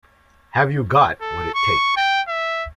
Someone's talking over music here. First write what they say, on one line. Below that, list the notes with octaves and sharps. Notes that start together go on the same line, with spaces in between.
Have you got what it takes?
A4
C#6
G5
E5